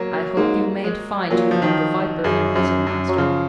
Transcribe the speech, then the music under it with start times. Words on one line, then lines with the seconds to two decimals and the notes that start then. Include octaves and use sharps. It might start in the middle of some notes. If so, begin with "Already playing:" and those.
"I hope you mayn't find you've warmed a viper in your bosom, master."
Already playing: F#3 A#3
0.13 F#3
0.37 G#2 A#3
0.84 G#3
1.31 A#2 F#3
1.51 F3
1.62 D#3
2.24 F#2 C#3
2.56 F#2
2.87 F#2
3.08 F#3
3.18 C#3 F3